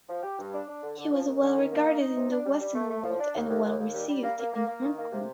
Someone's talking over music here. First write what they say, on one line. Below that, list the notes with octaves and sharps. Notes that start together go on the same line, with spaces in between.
He was well regarded in the Western world and well received in Hong Kong.
F3
G4
G2
D4
D4
D3
D3
F3
D#2
D3
D#3
A#3
D#4
D#4
C3
D4
G3
G3
A3
A3
F3
D4
D#2
D#2
D#2
D#2
G3
G3
A#3
A#3
A#3
A#3
D#3
A#3
C3